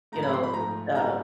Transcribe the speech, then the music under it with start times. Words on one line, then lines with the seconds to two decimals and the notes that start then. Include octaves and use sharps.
you know, um,
0.12 G#2 F3 A3 A#5
0.23 B5
0.33 C6
0.43 B5
0.53 G#2 F3 A3 A#5
0.95 G#2 E3 G3 A#5